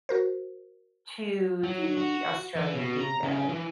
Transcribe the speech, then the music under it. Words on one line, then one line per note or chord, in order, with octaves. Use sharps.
to the Australian Dingo.
F#4 A#4 C5
F#3
F#4
E3
B2
A#5
C#3
E3